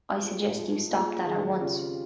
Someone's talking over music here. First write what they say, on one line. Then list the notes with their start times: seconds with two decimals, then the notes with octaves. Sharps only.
I suggest you stop that at once.
0.20 G2 G3 C4 F4 G#4
0.55 F3 G#3 D#4 G#4
0.89 G2 F3 A#3 F4 G#4
1.25 D#3 G#3 D#4 G#4
1.59 C#3 G3 C4 F4